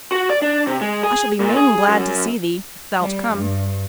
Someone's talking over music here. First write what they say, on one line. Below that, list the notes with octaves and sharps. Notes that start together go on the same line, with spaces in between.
I shall be main glad to see thee; if thou'lt come.
F#4
D5
D4
C3
G#3
G#4
A#2
G#4
F#2
G3
G2